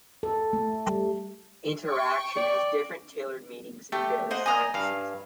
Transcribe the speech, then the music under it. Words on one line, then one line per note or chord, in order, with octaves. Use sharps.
"Interaction" has different tailored meanings in various sciences.
A4
A3
G3
G5 C#6
D5
A3 G4
C5 D#5 F#5
D#5 G#5 A#5 D#6
G2 F5